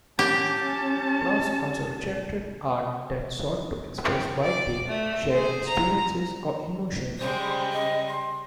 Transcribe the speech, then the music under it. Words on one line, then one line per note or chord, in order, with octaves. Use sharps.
Kloos also rejected art that sought to express widely shared experiences or emotions.
C#4 G4 A5
C4
D5
A3
G#4 C5
A#5
C#3 G3 G#3 C5
D#5
C6